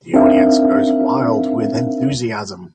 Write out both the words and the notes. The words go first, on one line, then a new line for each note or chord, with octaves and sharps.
The audience goes wild with enthusiasm.
C4 D4 D#4 A#4 E5 F5